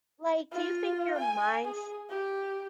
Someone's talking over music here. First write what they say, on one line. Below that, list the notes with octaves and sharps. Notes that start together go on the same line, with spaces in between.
Like, do you think your minds
F4
G#5
G#4
G4